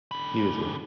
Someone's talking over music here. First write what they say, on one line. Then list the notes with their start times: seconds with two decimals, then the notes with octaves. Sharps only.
You as well.
0.11 D3 B5